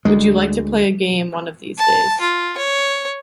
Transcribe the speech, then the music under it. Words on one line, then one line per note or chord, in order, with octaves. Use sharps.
Would you like to play a game one of these days?
D2 G#3
A5
F4
C#5